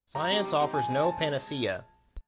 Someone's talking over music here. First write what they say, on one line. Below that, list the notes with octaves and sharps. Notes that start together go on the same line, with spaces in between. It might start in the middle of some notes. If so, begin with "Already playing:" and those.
Science offers no panacea.
G3 A#5
C4 D#4 G4
G3
C4 D#4 G4
F3 G#5
G#3 C4
F3 A5
C4
G#3
G#2
G#3
F3